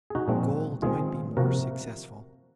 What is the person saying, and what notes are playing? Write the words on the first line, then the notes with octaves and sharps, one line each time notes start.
Gold might be more successful.
G#4
D#4 F#4
A#2 F3 G#3 C4
D#3 G#3 C4 F4 G#4
C3 F3 A#3 F#4 A#4